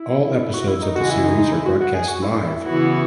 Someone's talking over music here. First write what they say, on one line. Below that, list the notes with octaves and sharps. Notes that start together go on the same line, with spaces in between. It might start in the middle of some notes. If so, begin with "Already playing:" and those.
All episodes of the series are broadcast live.
Already playing: E4
F#4
E4
D#4
C#3 E3 G#3 F#4
E4
D#4
D#4
E4
F#4
F#4
G#4
F#4
E4
C#3 E3 B3 F#4